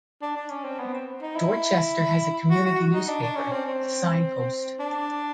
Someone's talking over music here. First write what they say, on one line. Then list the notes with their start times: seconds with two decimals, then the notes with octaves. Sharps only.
Dorchester has a community newspaper, "The Signpost".
0.22 D4
0.36 D4
0.50 C#4
0.64 C4
0.80 B3
0.93 C4
1.22 D#4
1.36 E4
2.50 F#4
2.66 F#4
2.93 D#4
3.08 D4
3.23 D4
3.36 C#4
3.52 C4
3.66 C4
4.80 D4